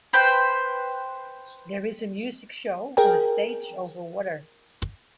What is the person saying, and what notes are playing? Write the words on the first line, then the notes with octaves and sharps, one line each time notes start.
There is a music show on a stage over water.
B4 C5 G5
G#4 A#4 G5